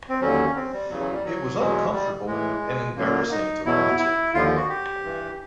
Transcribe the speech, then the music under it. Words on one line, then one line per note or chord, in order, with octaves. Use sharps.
It was uncomfortable and embarrassing to watch it.
C4
D#2 D3 F#3 C#4
C4
G3
E2 C#3 E3 F#3
F#3
G3
F#3
E2 B2 F#3 G#3
G3
A2 E3 G#3
F#2 D3 F#3 A#3
D#4
E2 B2 F#3 E4
E4
D#2 D3 F3 F4
F#4
G4
G2 E3